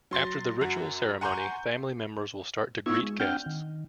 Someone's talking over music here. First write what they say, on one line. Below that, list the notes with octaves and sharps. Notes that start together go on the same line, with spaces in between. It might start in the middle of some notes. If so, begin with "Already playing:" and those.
After the ritual ceremony family members will start to greet guests.
F#3 C6 A6 A#6
F#2 F#4
F#5 G#5 A#5 C6 C#6 G6
B3 D#4 F4 C#6 E6 G#6
G#3
C4 D4 F#5 G5 F6 G6
D#3